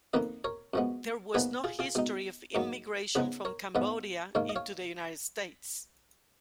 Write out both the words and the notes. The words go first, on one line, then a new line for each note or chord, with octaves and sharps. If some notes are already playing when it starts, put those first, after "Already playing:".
There was no history of immigration from Cambodia into the United States.
F2 D#3 A#3 D#4 B4 D#5
A#4 C#5
F#2 F3 G#3 B3
A#2 F3 B3 D#4 G#4 B4
F4 G#4
F4 G#4
B2 G#3 D#4
G#2 F#3 A#3
C#3 F3 B3 D#4 G#4 B4
A#4 C#5
G#2 F3 B3 F4 B4 D#5
G#2 D#3 A#3 C#5 F5
D#5
C#5 F5